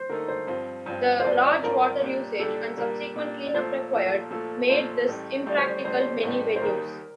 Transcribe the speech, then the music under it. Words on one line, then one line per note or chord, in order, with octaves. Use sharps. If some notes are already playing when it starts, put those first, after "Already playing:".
The large water usage and subsequent cleanup required made this impractical many venues.
Already playing: C5
D3 A3 D#4 A#4
C5
G2 F3 C4
G2 F3 C4
C5
G2 F3 C4 D5
D5
G2 F3 C4 A#4
A#2 G3 D4
A#2 G3 D4 A4
A#2 G3 D4 A#4
A#2 G3 D4
D5
A#2 F3 A3 C5
A#2 F3 A3
A#2 F3 A3 A4
A#2 F3 A3 C5
A1 A2 G3
A1 A2 G3 D5
C5
D5
A1 A2 G3 C5
D5
C5
A1 A2 G3
C5
D#2 D#3 G3 A#4